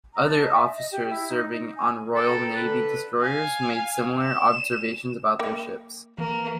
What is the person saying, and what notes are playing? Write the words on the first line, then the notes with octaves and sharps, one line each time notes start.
Other officers serving on Royal Navy destroyers made similar observations about their ships.
A#5
A5
D#4
E5
D#5
G4
E4
D#4
D#4
G#5
A4 B4 G5 A#5
D3 A4 B4
F5 G#5
E7
A#3 G5
E3 A#3